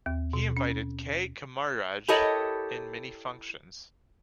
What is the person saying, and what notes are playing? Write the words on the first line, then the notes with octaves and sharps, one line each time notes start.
He invited K. Kamaraj in many functions.
D#2
B2
C#4
E4 G4 A4 A#4 C#5 D#5